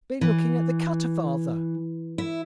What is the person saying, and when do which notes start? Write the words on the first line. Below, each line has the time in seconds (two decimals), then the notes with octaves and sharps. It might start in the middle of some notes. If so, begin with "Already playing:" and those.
"Been looking at the cutter, father?"
0.21 E3
2.18 E4